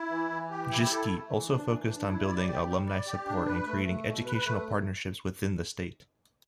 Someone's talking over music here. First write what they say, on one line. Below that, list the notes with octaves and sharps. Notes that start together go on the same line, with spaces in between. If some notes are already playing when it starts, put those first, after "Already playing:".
Jischke also focused on building alumni support and creating educational partnerships within the state.
Already playing: E4
E3
E3
G4
E4
A4
A3
E3
D4
E3
D4
E4
D5
G4
G3
D5
G4
D4
B4
A3
A3
B2
B4
A3